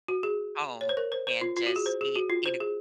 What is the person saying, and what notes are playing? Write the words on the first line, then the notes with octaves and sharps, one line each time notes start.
home and just eat eat a
F#4
G#4
C#5
C5
A#4
C5
C5
F4
F4
F#4
G#4
C5
G#4
F#4
F4
C5
G#4